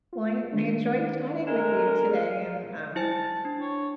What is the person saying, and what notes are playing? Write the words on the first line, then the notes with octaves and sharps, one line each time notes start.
Well, I I enjoyed chatting with you today and, um,
F4
D#3 G#3 D4
D3 G#3 A#4 E7
G#4 F6
E4 C5 G#5 A5
D4
C#5